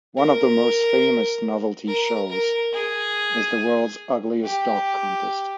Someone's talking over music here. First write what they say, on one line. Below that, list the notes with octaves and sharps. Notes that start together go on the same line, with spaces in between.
One of the most famous "novelty shows" is the World's Ugliest Dog Contest.
A#4
A#4
A#4
G#4
G4